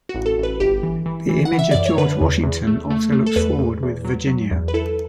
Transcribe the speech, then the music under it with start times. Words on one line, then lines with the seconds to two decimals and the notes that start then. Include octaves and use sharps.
The image of George Washington also looks forward with "Virginia".
0.09 F#4
0.14 A1
0.26 A4
0.38 A1
0.43 B4
0.60 G1 G4
0.83 E3
1.06 E3
1.29 E3
1.45 F#5
1.52 E3
1.59 E5
1.71 F#2 D5
1.86 C#5
1.98 D3 B4
2.21 E2
2.43 E2
2.67 A3
2.90 A3
3.12 A3
3.26 A4
3.36 E2 B4
3.59 E2
3.82 E2
4.05 F#3
4.27 F#3
4.51 E2
4.68 B4
4.74 E4 A4